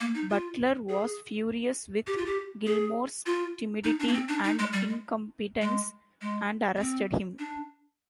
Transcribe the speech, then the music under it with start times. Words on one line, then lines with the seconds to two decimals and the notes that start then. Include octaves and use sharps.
Butler was furious with Gillmore's timidity and incompetence and arrested him.
0.01 A#3
0.15 D#4
0.30 F4
0.89 G#4
2.07 G4
2.17 F4
2.26 G4
2.67 G#4
3.26 F4
3.84 D#4
4.00 D4
4.08 A#3
4.14 C4
4.29 D4
4.44 D#4
4.59 G#3
4.73 G3
4.88 G#3
5.62 G#3
6.21 G#3
6.76 A#3
6.80 C4
7.39 D4